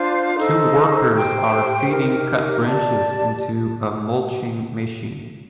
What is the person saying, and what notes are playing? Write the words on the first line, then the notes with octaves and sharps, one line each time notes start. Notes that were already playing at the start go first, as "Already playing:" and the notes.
Two workers are feeding cut branches into a mulching machine.
Already playing: D4 F4 C5 F5
D#4 A4 C5
G4 C5 G5
D#4 G4 A#4
G4 D5 A5